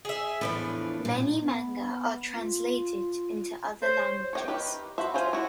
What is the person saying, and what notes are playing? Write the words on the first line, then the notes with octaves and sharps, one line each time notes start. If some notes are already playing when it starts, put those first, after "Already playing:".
Many manga are translated into other languages.
G#4 E5
E2 A2 F3 D4 B4
A#2
B3
F4
C5 C#5
C#5 D#5 G5
D#3 G4 B4
F#4 B4 C5 E5
F#3 F4 C5 G#5
E4 F#4